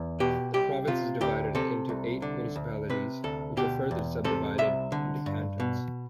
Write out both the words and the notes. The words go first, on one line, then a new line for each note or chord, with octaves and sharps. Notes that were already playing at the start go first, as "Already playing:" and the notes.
The province is divided into eight municipalities which are further subdivided into cantons.
Already playing: E2
B2 G4
C2 G4
C3 F4
D2 G4
C3 A4
C2
D3
D2
C3 B4
D2 A4
B2 G4
E2
C3 A4
C2 E5
D3
G2
B2